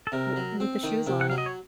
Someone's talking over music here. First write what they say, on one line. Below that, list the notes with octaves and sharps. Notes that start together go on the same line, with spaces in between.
W with the shoes on.
A4
C3 A#4
F#3
C4
D#3
C3
F#5
F#3 F5
D#5
C#5